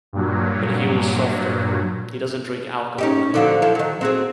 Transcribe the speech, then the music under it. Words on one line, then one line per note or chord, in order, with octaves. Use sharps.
But he was softer-he doesn't drink alcohol anymore.
G2 A#2 F#3
C#4 D#4 G4
D3 F3 F#3
F3 E4 A4
D#3 F#3
C4 F#4 G#4